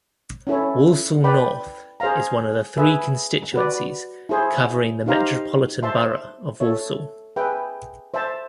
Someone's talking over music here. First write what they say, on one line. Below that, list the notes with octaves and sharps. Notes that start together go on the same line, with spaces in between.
Walsall North is one of three constituencies covering the Metropolitan Borough of Walsall.
C#4 E4 A4 C#5
B4 D5 G5 B5
G#4 C5 F5 A#5
G#4 B4 E5
F#4 B4 D5
E4 G#4 C5
D#4 G4 C5 F5 A#5
C5 E5 A5 C6
A4 C#5 E5
G#4 B4 E5 G5
C5 E5 A5